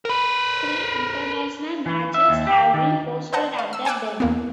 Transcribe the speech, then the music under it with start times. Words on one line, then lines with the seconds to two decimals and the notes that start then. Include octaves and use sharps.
Three international matches have been hosted at The Den.
0.05 A#4 B4
1.86 E3
2.14 E5
2.29 D#2
2.47 G4
2.74 D#3
3.33 B4 C5 D#5 F#5 A5 F#6
3.59 F5
3.73 E6
3.85 G5 G#5 D6 E6 F#6
4.20 E2 A#3 B3